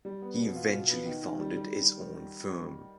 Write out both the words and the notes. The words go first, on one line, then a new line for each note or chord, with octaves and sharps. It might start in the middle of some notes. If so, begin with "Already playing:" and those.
He eventually founded his own firm.
G3
B3
B2
F4
B2
B3
D#3
D#3
G3
G3